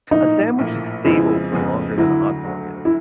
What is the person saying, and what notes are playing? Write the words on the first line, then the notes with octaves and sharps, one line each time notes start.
A sandwich is stable for longer than a hot dog is.
A#1 A2 F3 A#3 D#4
A#1 A2 F3 A#3
F2 C#3 F3 G#3 B3 E4
F2 C#3 F3 G#3 B3
D2 D3 F#3 E4
D2 D3 F#3
E4